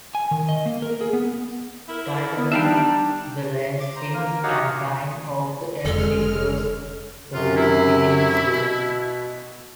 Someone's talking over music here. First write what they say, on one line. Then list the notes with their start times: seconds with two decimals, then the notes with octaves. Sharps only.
Tightening the lacing and tying off the ends secures the foot within the shoe.
0.15 G#5
0.31 D#3
0.49 D#5
0.66 A#3
0.82 A#4
1.01 G#4
1.13 B3
1.89 E4 A#4
2.37 B3
2.52 G3 D4 D#4 E5 F5 G5
2.66 D5
3.80 D6
3.96 C5 A#5
4.14 A#3 A#4
4.43 D#4 F#4 G4 C#5 F5 F#5
5.85 F1 G#3 A4 F6
7.34 F#2 C3 F4
7.56 E4
8.46 B2